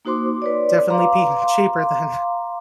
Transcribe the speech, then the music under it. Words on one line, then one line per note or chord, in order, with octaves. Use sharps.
definitely be cheaper than
A#3 D#4 F#4 C5 C6 D6
B4 C#5 D5
F5 A#5 C6 D6